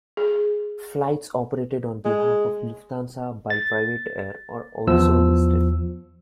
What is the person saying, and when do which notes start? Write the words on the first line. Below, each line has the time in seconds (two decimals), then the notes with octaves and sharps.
Flights operated on behalf of Lufthansa by PrivatAir are also listed.
0.17 G#4
2.05 G#3
3.50 A6
4.87 E2 F3 E6